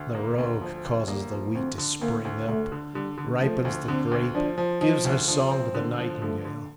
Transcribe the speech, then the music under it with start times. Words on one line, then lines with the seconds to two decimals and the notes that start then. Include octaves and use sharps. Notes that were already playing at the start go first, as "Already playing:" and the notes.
The rogue causes the wheat to spring up, ripens the grape, gives her song to the nightingale.
Already playing: D2
0.15 A#3
0.38 D2
0.61 F3
0.85 D2
1.08 G3 A#3
1.32 F3
1.55 D2 C4
1.78 D3
2.01 D2 A#3
2.25 D2
2.48 D2 A3
2.72 D3
2.95 D3 G3
3.18 D3
3.41 F3 A3
3.65 D2
3.88 D3 C4
4.11 D2
4.35 F3 D4
4.58 F3
4.81 F3 D#4
5.05 D2
5.28 F3 D4
5.51 C4
5.74 D3 A#3
5.98 F3
6.21 D3 A3
6.45 D3